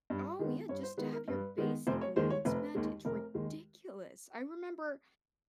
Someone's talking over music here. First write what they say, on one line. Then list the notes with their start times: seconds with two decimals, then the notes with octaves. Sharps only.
Oh, yeah, just to have your basic needs met, it's ridiculous. I remember,
0.10 G2
0.39 D#3 G#3 B3
0.69 G2 C#5
0.83 C5
0.97 D#3 G#3 B3 B4
1.12 A#4
1.28 G2 B4
1.58 D#3 G#3 B3
1.87 F1 C5
2.01 C#5
2.16 D#2 D#3 G#3 C5
2.30 C#5
2.45 F1 B4
2.75 D#2 D#3 G#3
3.05 F1 A#4
3.34 D#2 D#3 G#3